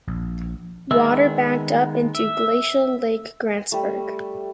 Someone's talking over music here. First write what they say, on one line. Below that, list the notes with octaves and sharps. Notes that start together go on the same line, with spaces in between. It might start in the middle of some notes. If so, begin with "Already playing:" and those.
Water backed up into Glacial Lake Grantsburg.
A#1
D#3 G#3 B3 E5 E6
E5
G3 A3